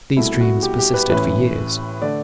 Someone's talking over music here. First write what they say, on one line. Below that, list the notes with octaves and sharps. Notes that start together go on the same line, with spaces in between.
These dreams persisted for years.
C2 B2 A3 E4
F#4
G4
G4
B4
A1 A2 E3 B4
D3 A3 D5